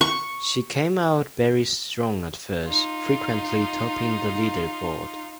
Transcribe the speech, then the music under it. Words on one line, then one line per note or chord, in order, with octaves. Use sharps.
She came out very strong at first, frequently topping the leaderboard.
C#6
D#4 F4